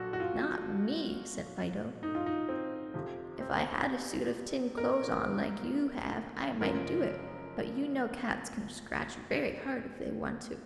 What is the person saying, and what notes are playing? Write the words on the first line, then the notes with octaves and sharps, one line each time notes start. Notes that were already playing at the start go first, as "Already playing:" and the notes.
"Not me!" said Fido, "If I had a suit of tin clothes on like you have I might do it, but you know cats can scratch very hard if they want to!"
Already playing: A#1 A#2 F#3 F#4 A4
F#4
F4
D#4
F4
D#4
C4
F2 C3 F3
C4
A#4
F#1 F#2 F3 A#4